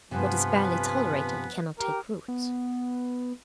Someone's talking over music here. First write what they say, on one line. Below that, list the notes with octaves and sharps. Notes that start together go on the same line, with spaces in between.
What is barely tolerated cannot take root.
G2 C3 F3 B3 B4 G#5
G4 A#4
B3